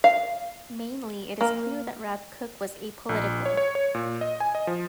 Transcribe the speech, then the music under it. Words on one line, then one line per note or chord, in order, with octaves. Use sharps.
Mainly, it is clear that Rav Kook was apolitical.
F5
A#3
A#1
C#5
C#5
C#5
A#2
D#5
G#5
D#5
F3